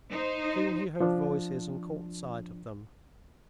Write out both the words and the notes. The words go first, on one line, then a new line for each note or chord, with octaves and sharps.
Soon he heard voices and caught sight of them.
D#4 C5
F3 D4